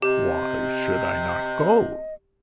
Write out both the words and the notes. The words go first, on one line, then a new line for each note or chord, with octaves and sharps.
"Why should I not go?"
C3 G4 D#5